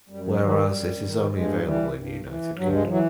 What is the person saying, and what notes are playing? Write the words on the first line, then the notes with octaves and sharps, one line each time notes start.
Whereas it is only available in United Kingdom.
F#2 G3
F#3
D#3 F#3
G3
F#2
D#3
G2 G#3
F#3
E3 G3
G2
E3
G2 F#3
G#3
F3
E3 F#3